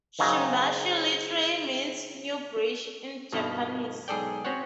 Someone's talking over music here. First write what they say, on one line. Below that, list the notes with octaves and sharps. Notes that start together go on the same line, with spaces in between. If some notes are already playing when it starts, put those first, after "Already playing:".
Shimbashi literally means "Newbridge" in Japanese.
D#2 G#2 C#3 F#3
G2 B2 D#3 F3 A#3
B1 G#2 G#4 A4 D5 G5
C4 C#4 F#4 C5 C#5 F#5